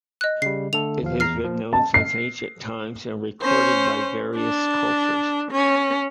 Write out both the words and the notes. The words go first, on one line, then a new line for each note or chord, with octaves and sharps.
It has been known since ancient times and recorded by various cultures.
D#5 F#6
C#3 G3 C7
D3 A3 A4 F7
D#2 F3 F5
E2 A#5 F6 C7
F3
A5
C7
C#4 C5
D4
C#4